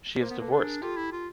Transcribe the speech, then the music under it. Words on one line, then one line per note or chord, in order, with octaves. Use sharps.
She is divorced.
A#3 A#4 C5
B3
A#3 A4 B4
D4
G#4 A#4
F4 G4 A4
E4
F4